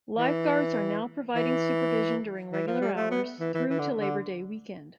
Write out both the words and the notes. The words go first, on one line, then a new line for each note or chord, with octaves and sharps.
Lifeguards are now providing supervision during regular hours through to Labour Day weekend.
E3
E3
E3
F3
G3
A3
B3
E3
E3
E3
D3
D3